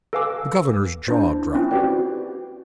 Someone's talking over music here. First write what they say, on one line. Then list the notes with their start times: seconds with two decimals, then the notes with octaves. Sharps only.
The governor's jaw dropped.
0.13 A4 B4 F5 G#5 D6 E6
1.08 D4 E4 C5
1.55 C4 C#4 E4 F4
1.71 F#4 G4 B4 C5 D5 G5